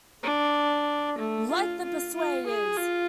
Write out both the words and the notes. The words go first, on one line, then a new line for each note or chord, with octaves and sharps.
Like The Persuaders!
D4
A3
F4
F4
F4
G#4
F4